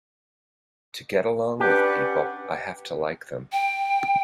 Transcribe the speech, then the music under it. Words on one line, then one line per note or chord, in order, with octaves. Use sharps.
To get along with people I have to like them.
C#4 D4 G4 B4 F#5
G5